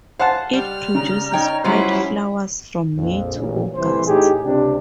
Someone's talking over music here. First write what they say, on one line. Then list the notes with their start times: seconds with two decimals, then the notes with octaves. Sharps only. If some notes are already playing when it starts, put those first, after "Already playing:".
It produces white flowers from May to August.
0.19 C5 F5 F#5 A5
0.53 G3 F6
0.95 C#3 D5 A#5
1.33 D#4 C#5 G5
1.64 F#3 G3 C#4 E4 F4 C5
2.97 A#1 F2
3.37 A1 A#2 C#3
3.75 C2 A2 E3 C5
4.07 A2 D#4 G4 G#4
4.45 C#2 C3 C4 D4 G4